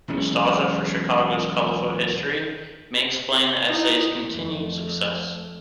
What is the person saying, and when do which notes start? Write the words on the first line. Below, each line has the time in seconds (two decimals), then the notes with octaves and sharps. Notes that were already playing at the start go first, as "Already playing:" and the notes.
Nostalgia for Chicago's colorful history may explain the essay's continued success.
0.08 B1 E2 G#3 C#4
3.69 D#4 E4
4.29 F2 A3